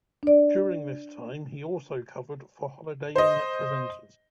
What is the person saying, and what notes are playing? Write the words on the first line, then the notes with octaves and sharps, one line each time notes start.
During this time he also covered for holidaying presenters.
D4 D5
C5 D#5